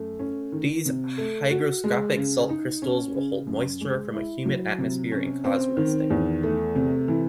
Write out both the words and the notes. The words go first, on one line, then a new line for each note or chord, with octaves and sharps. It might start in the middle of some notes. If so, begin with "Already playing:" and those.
These hygroscopic salt crystals will hold moisture from a humid atmosphere and cause rusting.
Already playing: F#2 A3
C#4
D#3
C3
A3
F#4
G#3
C#3
D#4
C#4
C#3
F#2
G#3
E4
F#3
C3
C#4
C4
D#3
E2
A3
C3
E3